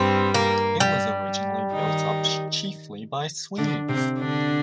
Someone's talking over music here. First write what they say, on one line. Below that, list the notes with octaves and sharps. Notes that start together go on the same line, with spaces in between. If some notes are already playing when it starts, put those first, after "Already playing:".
It was originally built up chiefly by Swedes.
Already playing: G2 G3 C4
A#3
G3
D#3 D#4
D3 D4
C3 C4
D3 D4